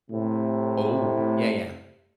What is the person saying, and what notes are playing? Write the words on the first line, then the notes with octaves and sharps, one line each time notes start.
Oh, yeah, yeah.
A2 C3